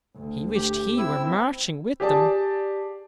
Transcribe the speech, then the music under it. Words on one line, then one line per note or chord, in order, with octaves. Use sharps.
He wished he were marching with them.
D2
G4
C4 E4 E6
G4 G#4 D5 A5